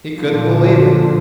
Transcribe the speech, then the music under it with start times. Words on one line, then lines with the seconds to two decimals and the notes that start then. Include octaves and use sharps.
He couldn't believe it.
0.18 A#2 D3 F3